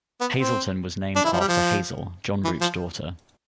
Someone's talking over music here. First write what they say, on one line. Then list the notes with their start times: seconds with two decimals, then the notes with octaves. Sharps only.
Hazelton was named after Hazel, John Roop's daughter.
0.21 B3
0.36 C4
1.16 D4
1.24 E4
1.33 F3
1.40 G3
1.48 F3
2.44 E3
2.61 F3